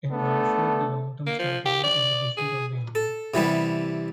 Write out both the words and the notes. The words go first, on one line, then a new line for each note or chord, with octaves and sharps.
In warfare, the long term strategy is the defeat of the enemy.
A3 B3 D4 A4
A#3
F3
G4
D5
G#4
A4
C3 E3 G3 B3